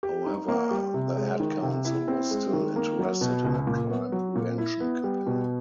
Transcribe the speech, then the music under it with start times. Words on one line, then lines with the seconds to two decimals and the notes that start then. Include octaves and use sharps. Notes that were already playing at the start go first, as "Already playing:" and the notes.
However, the Ad Council was still interested in a crime prevention campaign.
0.03 G4
0.26 D#4
0.48 A#3
0.71 G3
0.94 C3
1.17 G#3
1.40 D#3
1.62 C3
1.85 E4
2.08 C4
2.31 G#3
2.53 D#3
2.76 A#3
2.99 F#3
3.21 B2
3.44 C#2
3.67 A#2
3.90 B3
4.12 F#3
4.35 A#2
4.58 E4
4.80 B3
5.04 G3
5.27 B2